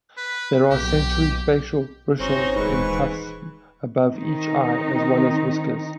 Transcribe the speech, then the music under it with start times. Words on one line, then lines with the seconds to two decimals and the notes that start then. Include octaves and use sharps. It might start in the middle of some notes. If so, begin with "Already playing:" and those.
There are sensory facial bristles in tufts above each eye as well as whiskers.
0.17 B4
0.71 B1 G4
2.19 G1 C4 C#4 D#4 F#4 C6
2.56 D#1 G#2 E3 B4 C#6
4.11 D#3 C4 D#4